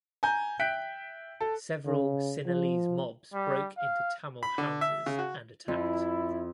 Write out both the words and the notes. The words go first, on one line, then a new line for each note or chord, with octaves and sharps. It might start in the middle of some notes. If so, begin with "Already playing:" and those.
Several Sinhalese mobs broke into Tamil houses and attacked.
G#5 A#5 G6
E5 G5 F#6 G6 B6 D7
A4
C#3
F3
G3
F5
B5
D3
E5
C#3
F#4
F2 E4